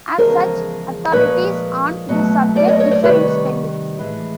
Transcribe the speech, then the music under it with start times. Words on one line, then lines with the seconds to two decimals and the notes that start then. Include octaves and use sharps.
As such, authorities on this subject differ in spelling.
0.18 E2 C#3 F3 G#3 A#4 C5
1.13 A#2 F3 G#3 B4 C#5
2.09 B2 F#3 A3
2.56 C5 D5
2.68 C#5 D#5
2.80 C#5 D#5
2.91 C5 D5
3.04 C3 D#3 G3 B4 C#5
3.98 A2 E3 G#3